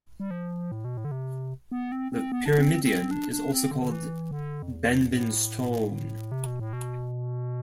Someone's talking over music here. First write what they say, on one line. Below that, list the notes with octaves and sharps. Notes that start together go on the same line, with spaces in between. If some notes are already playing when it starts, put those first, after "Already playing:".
The pyramidion is also called 'Benben stone'.
G3
F3
A2
B2
A2
D3
C3
B3
C4
C4
B3
D4
C4
C4
D4
D4
C4
D3
D3
E3
D3
F2
E2
A2
C3
B2
A2
B2